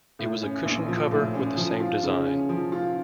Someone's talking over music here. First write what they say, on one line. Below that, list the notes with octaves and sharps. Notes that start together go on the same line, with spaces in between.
It was a cushion-cover with the same design.
A2
C#4
A#1
F3
A2
C#4
F3
F4
C#3
C#4
F3
F4